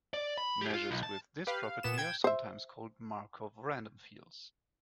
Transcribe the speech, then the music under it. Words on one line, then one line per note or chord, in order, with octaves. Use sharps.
Measures with this property are sometimes called Markov random fields.
D5
B5
G4 G#4
F4
B1
A5
G4 B4 F5
F5
A#2 B3 E7
G5 G#6
C5 E5